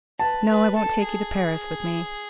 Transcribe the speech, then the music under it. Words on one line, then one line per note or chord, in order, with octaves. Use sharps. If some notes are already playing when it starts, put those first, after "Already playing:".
No, I won't take you to Paris with me.
B4 A5
B4
A4
G#4